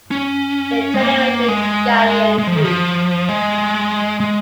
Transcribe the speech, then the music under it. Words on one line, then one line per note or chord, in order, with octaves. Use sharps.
They generate the Galilean group.
C#4
G#3
A#3
G#3
G#3
F3
D#3
F3
G#3
G#3